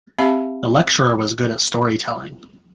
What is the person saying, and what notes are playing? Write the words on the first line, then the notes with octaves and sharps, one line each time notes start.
The lecturer was good at storytelling.
C4 G4 E5 F5 A5 B5